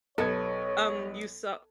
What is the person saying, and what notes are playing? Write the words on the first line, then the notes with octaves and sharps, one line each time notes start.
um, you saw
B1 B3 A4 C#5 G#6